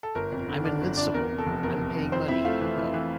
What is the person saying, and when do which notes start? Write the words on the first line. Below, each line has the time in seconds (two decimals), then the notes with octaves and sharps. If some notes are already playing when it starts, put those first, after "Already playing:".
I'm invincible, I'm paying money... uh...
0.03 A4
0.15 G1 A#4
0.32 F2
0.48 D3
0.65 D3 D4 D5
0.81 G1
0.97 G1 D4 D5
1.14 E2 A#4
1.30 C3
1.38 A4
1.46 F1
1.63 E2 A#4
1.79 C3
1.96 C3
2.12 F2 C4 C5
2.28 F2 E4 E5
2.45 A3 F4 F5
2.61 E3
2.78 E3
2.94 E3